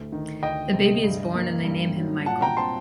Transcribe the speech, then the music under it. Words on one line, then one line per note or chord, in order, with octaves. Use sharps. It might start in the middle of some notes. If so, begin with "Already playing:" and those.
The baby is born and they name him Michael.
Already playing: D2 A2 A3
D#3
D2 D#5 G5
C3
G2
A#3
G2
F#3
A#2 F#5 A5
G5 A#5
C4 A5 C6